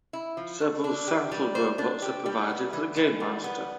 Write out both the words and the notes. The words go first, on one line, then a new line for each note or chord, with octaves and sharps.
Several sample robots are provided for the gamemaster.
E4
F3
A3
D4
G4
G3
C5
D4
G4
G3
B3
E3
E3
G3
B3